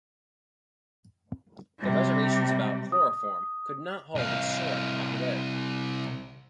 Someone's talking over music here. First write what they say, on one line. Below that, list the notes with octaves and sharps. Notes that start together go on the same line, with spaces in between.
The reservations about chloroform could not halt its soaring popularity.
C3 G3
D#6
C2 F5